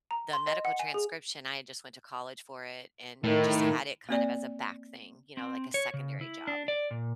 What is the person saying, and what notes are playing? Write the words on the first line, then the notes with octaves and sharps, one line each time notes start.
The medical transcription, I had just went to college for it and just had it kind of as a back thing, you know, like a secondary job.
A#5
C6
D#5
F#5
G#5
G#4
A2 D#3
A#3 C4 D5
C4
C#5
C#3
E4
D4
D5
A#2